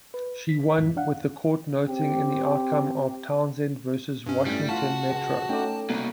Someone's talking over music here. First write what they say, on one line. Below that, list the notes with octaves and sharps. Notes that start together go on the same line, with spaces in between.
She won, with the court noting in the outcome of Townsend versus Washington Metro.
B4
B6
C2 F2 G#2
D4 F5 F#5
C4 G4
G2 C#4
A2 G3
F4 F#4 F5 A5
C#2 G#4
A3 C#4 D#4 G5 D6
C2 B2 A#3